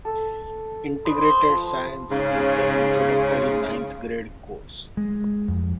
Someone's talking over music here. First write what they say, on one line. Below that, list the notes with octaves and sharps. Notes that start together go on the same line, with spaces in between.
Integrated Science is the introductory ninth grade course.
A4
B4 C5 D#5
F3
G#2 C#3
G#3
F2